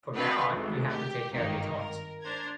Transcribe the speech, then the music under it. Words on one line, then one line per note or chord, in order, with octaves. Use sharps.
From now on you have to take care of your toys.
C4 D4 F#4 A4 B4 F5
G#1 D2 A3
G4
G#1 G2 D#3 A#3
A#4
D4 C5 A#5 G#6